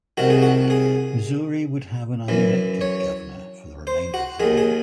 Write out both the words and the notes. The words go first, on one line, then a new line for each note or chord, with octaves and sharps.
Missouri would have an unelected governor for the remainder of the war.
C2 C3 D#3 F#4
G#4
F#4
G#4
F#2 E3
C#5
C5
F#4
D#2 D#3 G#4
G#4